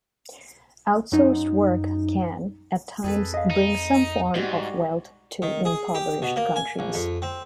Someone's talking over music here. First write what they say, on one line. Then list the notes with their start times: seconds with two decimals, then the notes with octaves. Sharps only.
Outsourced work can, at times, bring some form of wealth to impoverished countries.
1.12 F#2 D#4
3.04 F2 G#4 A4 B4
3.34 D#5 F5
3.51 D#4
4.35 G#2 G3 F#4
5.42 D#3
5.65 G#4
5.95 G4
6.22 B2
6.36 A#3
6.56 G#5
6.79 A#1
6.94 F2
7.22 C4